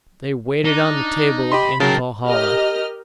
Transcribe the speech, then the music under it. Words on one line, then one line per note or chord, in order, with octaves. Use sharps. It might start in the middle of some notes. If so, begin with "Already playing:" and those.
They waited on the table in Valhalla.
D4 D#4
G4 D#5 B5 C6
C#3 F#3 G4 A#4 A5
G4 A#4 D#5 F6